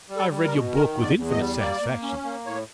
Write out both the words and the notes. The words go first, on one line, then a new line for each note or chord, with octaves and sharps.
I have read your book with infinite satisfaction.
G3
A4
G3
A#4
B2
D#3 A#4
E2
D5
E2
D#5
G3
A#3 D5
A#3
C#4
A#3
A2 C#5